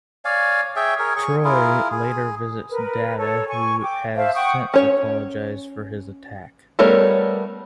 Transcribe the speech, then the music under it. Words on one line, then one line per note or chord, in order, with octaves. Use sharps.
Troi later visits Data, who has since apologized for his attack.
C#5 D5 F5 G#5
G#4 C#5 E5 G5
G#4 A#4 C#5
G#4 C#6
E4 F4 G#4 A#4
G#4
A#4 B4
A4 C#5
G#5 C#6
G5 D6
C5 E5 F5 A5
F#5 G5 C#6 D#6
C#4 C#5
G3 A3 B3 A#4 C#5